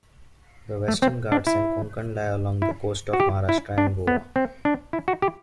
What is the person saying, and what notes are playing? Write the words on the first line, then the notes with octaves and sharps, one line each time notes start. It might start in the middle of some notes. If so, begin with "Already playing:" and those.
The Western Ghats and Konkan lie along the coast of Maharashtra and Goa.
A3
C4
D4
E4
E4
F#4
G4
E4
D4
B3
C4
D4
E4
F#4
G4